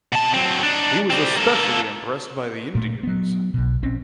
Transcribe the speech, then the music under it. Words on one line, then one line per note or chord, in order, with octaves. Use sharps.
He was especially impressed by the Indians.
B2 A5
F#3 C4
D4 D#4
G3 C4
A#3 A4
A#2 A3
F#3 B3
B1 B2
A#1 C4 C#4